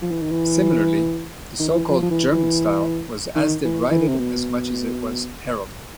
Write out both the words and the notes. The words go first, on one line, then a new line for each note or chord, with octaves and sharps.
Similarly, the so-called German style was as derided as much as it was heralded.
F3
E3
D#3
E3
D#3
E3
F3
F3
E3
E3
D#3
E3
E3
C3
B2